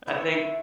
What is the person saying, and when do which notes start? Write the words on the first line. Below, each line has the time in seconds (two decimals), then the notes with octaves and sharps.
I think
0.07 D3 B3 E4
0.32 A3